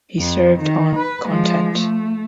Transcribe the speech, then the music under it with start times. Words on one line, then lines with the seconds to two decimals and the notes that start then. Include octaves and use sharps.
He served on "Content".
0.19 F2
0.59 D#3
0.96 B4
1.27 F3 G#3
1.76 A3